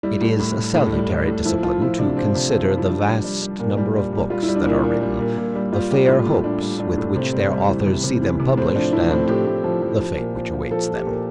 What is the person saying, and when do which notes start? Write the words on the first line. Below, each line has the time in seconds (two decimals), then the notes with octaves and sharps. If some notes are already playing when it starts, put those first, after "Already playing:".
It is a salutary discipline to consider the vast number of books that are written, the fair hopes with which their authors see them published, and the fate which awaits them.
0.03 G3 E4
0.21 A2
0.39 A2
0.57 A2
0.75 A2
0.92 G3
1.10 G3
1.28 A2
1.45 F3 E4
1.63 F3 F4
1.81 F3 E4
1.99 C3 D4
2.17 F3 C4
2.35 C3
2.52 F3
2.70 F3
2.78 E4
2.88 G3 D4
3.07 G3
3.24 G3
3.41 G3
3.59 A#2
3.77 G3
3.95 G3
4.13 G3
4.30 G3 F4
4.43 E4
4.48 G3
4.56 D4
4.66 A#2 E4
4.84 A#2
5.02 G3
5.20 A#2
5.37 A#2
5.55 G3
5.73 G3 F4
5.91 G3 G4
6.08 A2 F4
6.26 A2 E4
6.44 G3 D4
6.62 G3
6.79 G3 D4
6.98 A2
7.15 C3 C4
7.33 G3
7.51 G3
7.69 E3
7.86 C3
8.04 C3
8.22 E3
8.39 C3
8.57 A2 C4
8.75 F3 D4
8.93 F3 E4
9.11 A2 C4
9.28 A2 G4
9.47 A2
9.64 F3
9.82 F3
10.00 F3
10.17 A#2
10.36 F3
10.53 F3
10.71 F3 A4
10.89 F3
10.95 G4
11.07 A#2